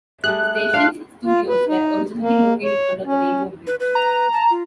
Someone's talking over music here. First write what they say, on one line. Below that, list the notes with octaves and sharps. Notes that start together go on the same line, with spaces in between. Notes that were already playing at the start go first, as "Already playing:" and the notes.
The station's studios were originally located under the Rainbow Bridge.
G3 A3 G#4 E5 F#6
D4 F4 F5
F4
B4
D#4
A#3
C#5
C#4
B4
B4
A#5
A5
F4